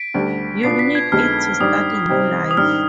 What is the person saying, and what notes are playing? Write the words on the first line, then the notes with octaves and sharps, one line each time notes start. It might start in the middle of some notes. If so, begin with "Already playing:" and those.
You'll need it to start a new life.
Already playing: B6 D7
D2 D3 G3
B2 B3 D4 F4 C7
B6
G#6
F2 D3 G#3 B3 D#4 F6
G#2 D#3 G3 D4 G4 D#6
C3 G3 C4 D#4 G4
D#6
G#2 D#3 G3 D4 G4 F6